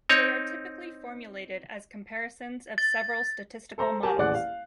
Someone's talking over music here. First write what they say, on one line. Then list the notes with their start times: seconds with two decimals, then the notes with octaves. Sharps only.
They are typically formulated as comparisons of several statistical models.
0.09 C4 D#4 C#5
2.78 A6
3.78 A4 C5 A#5
4.03 G4 A#4 G#5 A5
4.18 D#1 A1 G#4 D5 F#5 F#6
4.35 F5